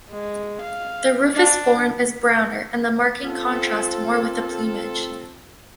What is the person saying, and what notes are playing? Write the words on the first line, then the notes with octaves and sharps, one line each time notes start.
The rufous form is browner and the marking contrast more with the plumage.
G#3
F5
D4
C4 F4 A4